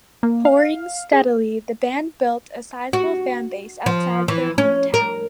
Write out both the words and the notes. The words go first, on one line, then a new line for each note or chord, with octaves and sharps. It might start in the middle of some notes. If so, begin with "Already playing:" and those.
Touring steadily, the band built a sizable fan base outside their hometown.
A#3
F5
G#4
F#4
F3
E3
C#4
A#4